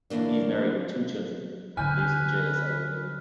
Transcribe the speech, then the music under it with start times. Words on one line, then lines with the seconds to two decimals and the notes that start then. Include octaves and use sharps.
He is married, with two children, and lives in Jeddah, Saudi Arabia.
0.10 D3 E3 F#3 A#3 D4
1.77 D3 D#4 B4 G#5 F6 G6